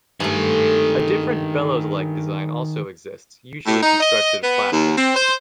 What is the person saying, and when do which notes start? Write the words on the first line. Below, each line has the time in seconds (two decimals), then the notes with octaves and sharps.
A different bellows-like design also exists, usually constructed of plastic.
0.20 G2 D#3 A3 G#4
3.66 A2
3.82 D#4
4.00 D#5
4.43 B3
4.72 D#2
4.97 C4
5.15 C5